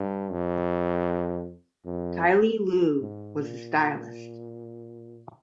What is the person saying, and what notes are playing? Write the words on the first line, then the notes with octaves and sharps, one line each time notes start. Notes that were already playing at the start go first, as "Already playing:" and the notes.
Kyle Luu was the stylist.
Already playing: G2
F2
F2
G#2
A#2